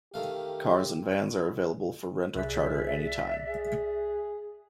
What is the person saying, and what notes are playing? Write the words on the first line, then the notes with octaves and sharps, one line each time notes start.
Cars and vans are available for rent or charter any time.
D#3 A3 G4 F5
C2 G#4 D5 E5 F#6 B6
G#4